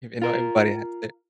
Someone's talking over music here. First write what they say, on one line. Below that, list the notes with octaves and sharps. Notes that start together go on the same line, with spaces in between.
If You know, everybody has to
F4 A#4